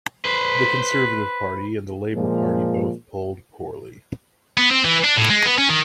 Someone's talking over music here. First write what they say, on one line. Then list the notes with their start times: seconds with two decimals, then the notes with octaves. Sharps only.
The Conservative Party and the Labour Party both polled poorly.
0.25 B4 C5
2.15 A#2 F3 G#3
4.57 B3
4.71 C4
4.84 E3
5.04 D4
5.17 A2
5.29 G#3
5.45 B3
5.58 C#4
5.69 D#3